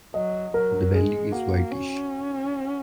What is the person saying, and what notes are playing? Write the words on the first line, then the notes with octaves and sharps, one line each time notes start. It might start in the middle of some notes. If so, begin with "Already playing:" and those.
The belly is whitish.
F#3 D#5
F#3 A#4
G#3 G#4
A#3 F#4
C#4